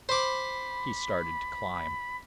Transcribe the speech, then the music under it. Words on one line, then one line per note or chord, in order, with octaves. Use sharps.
He started to climb.
C5 B5 D6